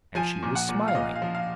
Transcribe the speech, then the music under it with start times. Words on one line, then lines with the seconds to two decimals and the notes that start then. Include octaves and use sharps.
And she was smiling.
0.15 F3 G#5
0.43 A#2
0.55 F#5
0.69 A#2
0.88 F5
0.95 A#2 D#5
1.15 F5
1.22 F3
1.35 F5